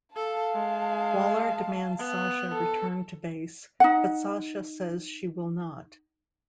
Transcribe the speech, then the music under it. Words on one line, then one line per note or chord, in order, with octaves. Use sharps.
Waller demands Sasha return to base, but Sasha says she will not.
A4 F5 A5
G#3
B3
A4
D#4 F#5